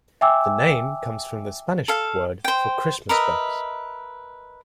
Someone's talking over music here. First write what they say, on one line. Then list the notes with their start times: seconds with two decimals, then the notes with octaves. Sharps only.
The name comes from the Spanish word for "Christmas box".
0.21 E5 G5 G#5 D6 E6
1.88 A4 F5
2.44 C5 G5
3.09 A#4 B4 D#5 E5